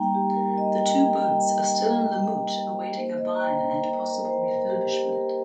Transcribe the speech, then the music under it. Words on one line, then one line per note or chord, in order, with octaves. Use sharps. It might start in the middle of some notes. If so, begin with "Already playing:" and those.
The two boats are still in Lumut awaiting a buyer and possible refurbishment.
Already playing: G3 A#3 D#4 G5 A#5
G4
A#4
D#5
G5
G5
G5
A#3 D#4 C5
D#5
A#5
G5
A#4
A#4
C5
A#4
G4
G4
A#4